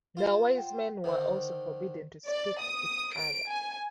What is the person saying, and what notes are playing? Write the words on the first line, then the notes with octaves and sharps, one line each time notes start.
The wise men were also forbidden to speak to each other.
F4 C5
F#5 G5
D3 D#3 C5
D5
D#6
D7
G#5